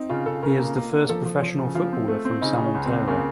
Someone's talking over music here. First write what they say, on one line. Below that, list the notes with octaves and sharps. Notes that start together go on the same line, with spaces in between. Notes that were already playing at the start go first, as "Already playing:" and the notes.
He is the first professional footballer from San Antero.
Already playing: C4 D#4
C#3 F4
C#3 A4
C#3 A#4
A#3
A#3
A#3
F3 A4
F3
F3
C#3
F3 F4
C4
A3
C4
C#3 D#4
C#3
C#4
C#2
C4
C#2
C#3 A#3